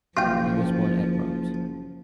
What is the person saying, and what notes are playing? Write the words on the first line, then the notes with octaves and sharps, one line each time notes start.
He was born at Reims.
F#1 F3 F4 G5